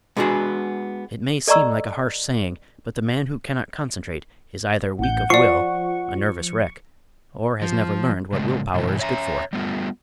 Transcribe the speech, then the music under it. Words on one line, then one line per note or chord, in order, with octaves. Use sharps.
It may seem like a harsh saying, but the man who cannot concentrate is either weak of will, a nervous wreck, or has never learned what will-power is good for.
G#3 B3 D4 F4 F#4 G#4
A4 D5 D#5 A#5 C#6 E6
A1 F#5 G6
F3 D5 C#6 C7
F3
G#2 C#3 G#3 A3
G2 B2 E3
C#5 E5 A#5
G3 A3 B3 F4